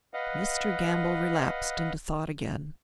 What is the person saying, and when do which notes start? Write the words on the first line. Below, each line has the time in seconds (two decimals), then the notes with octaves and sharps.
Mr. Gamble relapsed into thought again.
0.14 B4 D#5 F5 F#5